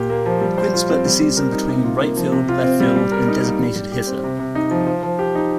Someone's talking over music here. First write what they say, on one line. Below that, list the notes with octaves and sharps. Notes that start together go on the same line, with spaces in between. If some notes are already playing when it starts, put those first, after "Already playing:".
Quinn split the season between right field, left field, and designated hitter.
Already playing: A#2 G4
A#3
F3
G3
C5
F4
C4
G3
G3
A#4
D#4
C3
F4
A#3
F3
C3
F4
C4
G3
G3
A#4
D#4
A#3
G3
G3
G4
C4
C3
C3
D#4
F3
F3
F3
G4
D#4